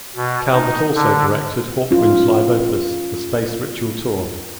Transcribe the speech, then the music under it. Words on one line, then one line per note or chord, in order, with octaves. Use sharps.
Calvert also directed Hawkwind's live opus, the Space Ritual Tour.
B2
D#4
D3
C#4 F4